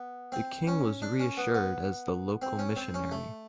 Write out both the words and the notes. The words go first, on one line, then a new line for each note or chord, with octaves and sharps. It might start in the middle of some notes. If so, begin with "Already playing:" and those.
The King was reassured as the local missionary.
Already playing: B3
C4
C#4
D4
C#4
B3
B3
C4
C#4
C4
C#4
A3